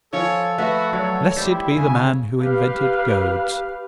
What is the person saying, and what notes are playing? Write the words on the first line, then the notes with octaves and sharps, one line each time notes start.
Blessed be the man who invented goads!
F3 A4 C#5 G#5
A3 F#4 B4
F#3 C#5 D5
G3 E4 G4 C5
C#3 G#5
G4 B4 F5